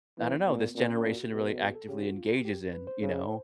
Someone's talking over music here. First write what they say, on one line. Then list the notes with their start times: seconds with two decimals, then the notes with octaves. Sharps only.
I don't know, this generation really actively engages in, you know?
0.18 E3 B3
0.47 A#2 B3
0.75 A#2 C4
0.94 C#4
1.13 F#4
1.32 B2 G4
1.40 A#4
1.45 A4
1.60 G#4
1.75 A4
1.88 C#3 G4
2.03 F#4
2.17 F4
2.30 G4
2.45 G4
2.73 B4
2.87 C5
3.01 C#3